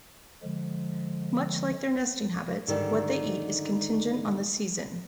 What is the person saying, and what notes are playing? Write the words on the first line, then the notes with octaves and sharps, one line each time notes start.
Much like their nesting habits, what they eat is contingent on the season.
D3 F3 G#3
G#2 D3 D#3 G3